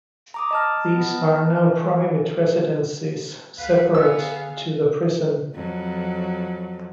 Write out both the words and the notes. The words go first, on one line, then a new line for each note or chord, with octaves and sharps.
These are now private residences, separate to the prison.
A#5 D6 D#6
D#5 A5 F6
B3
E3
D2 B4 F5 F#5
D3 B3 G#4 F5 E6
F2 F#3